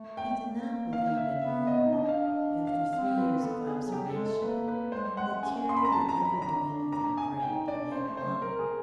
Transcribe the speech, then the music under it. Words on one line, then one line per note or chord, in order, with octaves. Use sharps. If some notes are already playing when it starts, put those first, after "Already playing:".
He did not believe any more, after three years of observation, that Carrie would ever do anything great in that line.
Already playing: A3
G5
A#3
F5
E5
B3 E5
D#5
D#4
D4 D#5
F5
D#5
F5
C4 F5
B4
B3 A4
G#4
F#3 G4
G3
A4
G#3
A4
A3
A#3 B4
B4
G#3 C5
G3
G#3 F#5
A3
C#4 G#5
C6
B5
A#5
A5
A#5
B5
D4 A#5
A#5
G#5
D#4 G5
D4 D5
C#4 C5
A3
C5
F#3
A#4
G#4